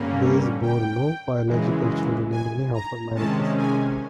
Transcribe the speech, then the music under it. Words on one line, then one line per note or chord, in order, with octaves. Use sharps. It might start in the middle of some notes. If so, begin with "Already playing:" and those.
Bayes bore no biological children in any of her marriages.
Already playing: G2 D3 G3 A#3 C#4
G5
F#2 C#3 E3 G#3
G#5
A#5
C3 D#3 G#3 C#4 A5
G#5